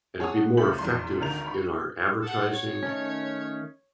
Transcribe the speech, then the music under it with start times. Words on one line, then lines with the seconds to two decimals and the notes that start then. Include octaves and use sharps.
and be more effective in our advertising
0.20 G#4 C#5 F#5 A5 D#6
0.35 F#4
0.57 C#2 F#2 A3 B5 G6 F#7
0.79 F1 E2 C6
1.20 G#1 D2 D#3 A#4 G6 F7
1.46 B5 C#6
2.22 A4 F#5
2.51 C#5
2.83 D#3 A3 C#4